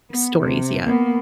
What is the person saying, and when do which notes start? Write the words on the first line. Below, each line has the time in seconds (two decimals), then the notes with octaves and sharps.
stories yet,
0.11 B3
0.41 C3
0.86 A#3 B3